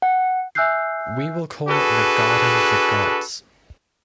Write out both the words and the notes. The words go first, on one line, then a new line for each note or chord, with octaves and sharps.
We will call it the Garden of the Gods.
F#5
E5 G#5 E6 F#6 G6 C7
D4 F#4 G#4 A4 B4